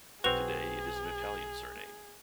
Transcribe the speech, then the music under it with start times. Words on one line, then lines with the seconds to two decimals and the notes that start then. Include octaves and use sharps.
Today it is an Italian surname.
0.24 B1 C4 F#4 G#4 B4 F7